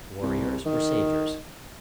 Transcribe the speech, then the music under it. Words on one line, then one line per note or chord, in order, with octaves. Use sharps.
Warriors were saviours.
C2
D#3